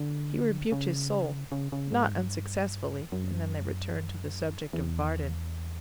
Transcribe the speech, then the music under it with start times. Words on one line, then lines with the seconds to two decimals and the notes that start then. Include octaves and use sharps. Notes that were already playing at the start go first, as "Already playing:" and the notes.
He rebuked his soul, not unsuccessfully, and then they returned to the subject of Varden.
Already playing: D3
0.72 C#3
1.52 C#3
1.72 C#3
1.92 G#2
2.12 G2
3.12 F#2
4.73 E2